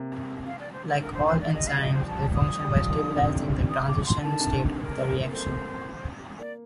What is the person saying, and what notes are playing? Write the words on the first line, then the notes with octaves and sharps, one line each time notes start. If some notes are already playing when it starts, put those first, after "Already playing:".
Like all enzymes, they function by stabilizing the transition state of the reaction.
Already playing: C3 A#3
F5
D5
C5
A#4
D3 A#4
C5
D#3 C5
D5
G3 D#5
F5
F3 D#5
C5
G3
F3 A5
D#6
G3
F3
D#3
D3
C3
D#6
D6
C6
D#3 A5
D3
C3
D3
C5
A#4
C4
A#3
A3 C5
A#3 D5